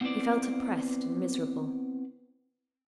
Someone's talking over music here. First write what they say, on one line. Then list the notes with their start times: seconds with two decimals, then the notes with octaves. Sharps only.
He felt oppressed and miserable.
0.01 B3 C4 E4 B4 C5 D5